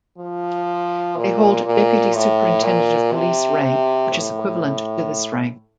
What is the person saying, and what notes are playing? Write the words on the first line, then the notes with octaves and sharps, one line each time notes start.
They hold Deputy Superintendent of Police rank which is equivalent to this rank.
F3
A#2
A#2
A2
A#2
C3
C3
A2